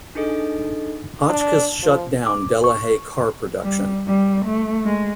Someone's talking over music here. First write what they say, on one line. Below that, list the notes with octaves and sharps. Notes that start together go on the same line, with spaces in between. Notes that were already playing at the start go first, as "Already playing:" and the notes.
Hotchkiss shut down Delahaye car production.
D4 D#4 G#4 A4 D#5
D4
F3
D6
C#6
G3
G3
A3
G#3